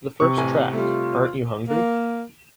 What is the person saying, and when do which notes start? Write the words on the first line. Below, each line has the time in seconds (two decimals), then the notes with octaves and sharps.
The first track, Aren't You Hungry?
0.20 C3 C#6
0.37 A1 G#5
0.73 G3 A3 F4
1.68 A#3